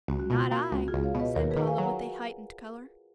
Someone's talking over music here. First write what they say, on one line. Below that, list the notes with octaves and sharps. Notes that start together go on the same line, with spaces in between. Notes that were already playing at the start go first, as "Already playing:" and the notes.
"Not I," said Paula, with a heightened color.
C#2 F#4
F#4
B2 F4
A#3 F#4
C#2 F#4
F4 G#4
C#2
C#5 F5
B2
B4 D#5
D#2 A#4 C#5
G#4 B4
D#3
F5 G#5
F#3 F#5 A#5